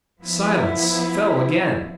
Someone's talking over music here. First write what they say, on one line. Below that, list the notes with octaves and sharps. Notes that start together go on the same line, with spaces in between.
Silence fell again.
F3 B3 E4